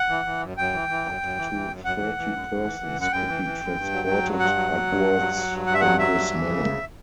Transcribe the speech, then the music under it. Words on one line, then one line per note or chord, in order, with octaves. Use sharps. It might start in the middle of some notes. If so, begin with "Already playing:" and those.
Up to thirty persons could be transported upwards in this manner.
Already playing: F#5
E3
E3
F#2
F#2 G5
E3
E3
F#2
F#2
E3
E3
F#2
F#2 F#5
E3
E3
F#2
F#2
E3
E3
F#2
F#5
F#2 G5
E3
E3
F#2
G2
F#3
F#3
G2
G2 F#5
F#3
F#3
G2
G2
F#3
F#3
G2
G2 F#5
E5
F#3 F#5
F#3 E5
G2
E3
C#3
D2